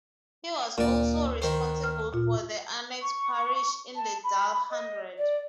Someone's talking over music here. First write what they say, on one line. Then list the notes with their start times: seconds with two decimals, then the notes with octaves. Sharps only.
He was also responsible for the annex parish in the Dal Hundred.
0.78 D2 A#2 D5
1.42 D#3 C5
1.84 F6
2.13 A#2 F4
3.02 C#6
3.96 A5
4.24 B5
4.71 D#5
5.18 D5